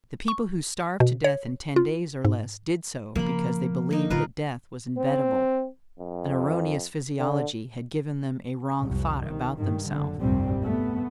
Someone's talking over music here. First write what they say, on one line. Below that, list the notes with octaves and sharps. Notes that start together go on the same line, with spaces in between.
The people who starved to death in ten days or less did so because they believed that death was inevitable; an erroneous physiology had given them a wrong thought about themselves.
C#6
B2
C#5
F4
G#2
C#3 F3 A#3 B5
A#3 D#4
D3 D#3 F4 A#4 B4
C4
F2
D3
C2 F2
D#3
G2 D#3
F#1 D3
F1 C2 G2 A#2 G3 C4
A3 B3